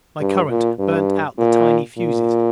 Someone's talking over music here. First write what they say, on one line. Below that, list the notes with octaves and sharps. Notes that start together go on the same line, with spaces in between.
My current burned out the tiny fuses.
G2
A#2
G2
A#2
A#2